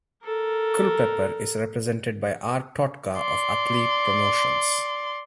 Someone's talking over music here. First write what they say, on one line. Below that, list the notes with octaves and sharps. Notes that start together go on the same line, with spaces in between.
Culpepper is represented by R. Totka of Athlete Promotions.
A4 A#4
D5 C6